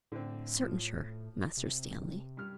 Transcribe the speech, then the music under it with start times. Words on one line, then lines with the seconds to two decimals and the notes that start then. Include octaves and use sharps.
'Certain sure, Master Stanley.'
0.12 A2 D3 C4
0.62 F3
1.57 C3
2.37 G2 F6